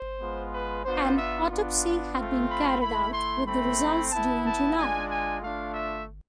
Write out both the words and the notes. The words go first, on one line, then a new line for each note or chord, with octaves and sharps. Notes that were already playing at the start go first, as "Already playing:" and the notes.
An autopsy had been carried out, with the results due in July.
Already playing: C5
G#3 B3 F4
B4
B3 D4 F4 C5
E5
B3 D4 F4
A3 C4 F4
B5
A3 E4 B5
C6
A3 C4 E4 B5
B3 E4 A5
A5
G#3 D4 F4 G#5
G#5
A3 D4 F4 F5
E5